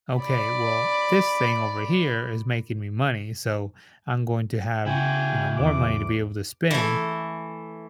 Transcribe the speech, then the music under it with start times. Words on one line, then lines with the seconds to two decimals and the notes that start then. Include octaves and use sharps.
"Okay. Well, this thing over here is making me money, so I'm going to have, you know, more money to be able to spend,"
0.18 D5 B5
4.86 C#3 E4 F#4 G5 G#5
5.57 E2 D6
6.71 E3 A3